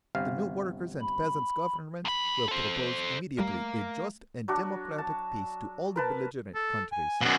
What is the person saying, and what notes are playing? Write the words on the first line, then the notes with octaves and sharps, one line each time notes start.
The new Workers' and Peasants' Government will propose immediately a just and democratic peace to all the belligerent countries.
G1 C3 F5
B5
E2 B5
A4 C5
G3 A3 A#4 F5 A#5
F#3 D4 F#4
A5
A#4 B4 A5
A4
G#5
F#2 B2